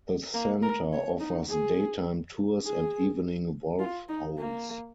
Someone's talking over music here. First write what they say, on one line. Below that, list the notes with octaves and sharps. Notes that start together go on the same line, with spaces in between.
The Center offers daytime tours and evening wolf howls.
A#3
A#4
C#5
D#4
G#4
G#4
F4
D#4
A#3